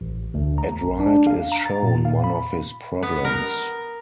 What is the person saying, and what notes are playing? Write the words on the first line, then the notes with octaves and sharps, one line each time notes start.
At right is shown one of his problems.
A1
D2
A#5
A#1
D4
F5
A#5
A6
A#2
F5
B5
B3
A#4